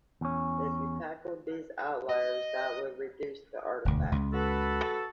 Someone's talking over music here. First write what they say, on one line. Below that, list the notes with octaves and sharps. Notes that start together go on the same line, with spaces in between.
If you tackled these outliers that would reduce the artifacts.
E2 C#4
D#5
E1 D2
C#2
F#4 A4 B4